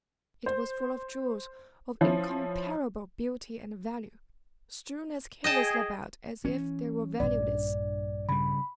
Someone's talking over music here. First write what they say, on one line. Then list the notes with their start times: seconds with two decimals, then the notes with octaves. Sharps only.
It was full of jewels of incomparable beauty and value, strewn as carelessly about as if they were valueless.
0.46 C5
2.01 F3 C#4 E4
5.44 G#4 D#5 G5 A5
6.45 E3 C#4
7.20 A#1 G2 D5
8.29 C#3 G3 B5